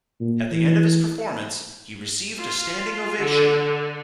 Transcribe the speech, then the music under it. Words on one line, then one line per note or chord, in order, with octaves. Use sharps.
At the end of his performance he received a standing ovation.
A#2
E3
F4
D3